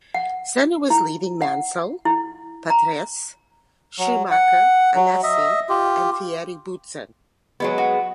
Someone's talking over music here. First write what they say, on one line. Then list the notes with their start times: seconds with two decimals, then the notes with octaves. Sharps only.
Senna was leading Mansell, Patrese, Schumacher, Alesi and Thierry Boutsen.
0.14 F#5
0.90 E4
1.42 F#5
2.05 E4
2.70 A#5
3.98 F#3
4.31 F#5
4.96 F#3
5.23 D#5 E5
5.69 F4 G4
7.60 F#3 G#3 B3
7.78 F#4